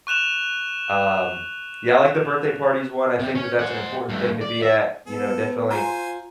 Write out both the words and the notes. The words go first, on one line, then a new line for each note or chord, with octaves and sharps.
um, yeah, I, like, the birthday parties one. I think that that's an important thing to be at, you know, definitely,
C#6 F#6 E7 F7
C3 C4
C#4
C5 F#5
G2 A3
D5
E5
B3 A4
F4 C5 G#5 A#5